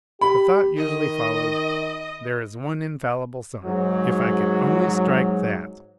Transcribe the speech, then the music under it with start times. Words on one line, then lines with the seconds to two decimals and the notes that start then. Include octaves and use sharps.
The thought usually followed:--"There is one infallible sign--if I could only strike that!"
0.21 G4 B5
0.77 D#3 D#5
3.64 G#2 F#3